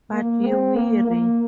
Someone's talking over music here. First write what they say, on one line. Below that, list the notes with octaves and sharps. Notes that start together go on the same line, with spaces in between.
But you’re wiry.
A#3
C4
A#3
A#3